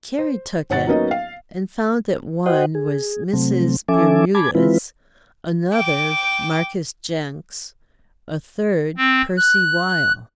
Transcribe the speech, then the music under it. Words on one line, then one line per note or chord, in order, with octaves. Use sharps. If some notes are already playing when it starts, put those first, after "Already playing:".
Carrie took it and found that one was Mrs. Bermudez, another Marcus Jenks, a third Percy Weil.
C5
G#1 C#5 F#5 A6
F#3 A#3 B3 C#4 D#4 D#5
F5
F#4 C5 D#5 F#5 G5
G#4
C3 F#3 A3 C4
F3 C#4 A4 E5 G#5 D6
G#5 A5 B5 D6 G#6
E3 G#3 C4 E4 F4 B4
G5 D6
C4
F#6